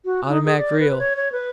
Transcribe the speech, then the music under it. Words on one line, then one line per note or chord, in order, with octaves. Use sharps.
Automatic reel.
F#4
D#4
G#4
D5
B4
C#5
C#5
B4